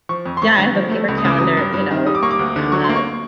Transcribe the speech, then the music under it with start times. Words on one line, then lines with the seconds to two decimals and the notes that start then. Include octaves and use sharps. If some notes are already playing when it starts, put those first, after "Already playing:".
Yeah, I have a paper calendar, you know, on the,
0.09 F3 C#6
0.26 F2
0.37 C6
0.42 F2 C#6
0.58 D3
0.75 F3
0.92 A3
1.08 C#2
1.18 D#6
1.25 C#3 D6
1.39 F#3 D#6
1.57 G2
1.74 G2
1.91 D#3
2.06 G3 D#6
2.15 D6
2.23 A#3 C#6
2.31 D6
2.39 D2
2.56 D3
2.72 F#3 C#6
2.84 C6
2.89 A#3
2.96 C#6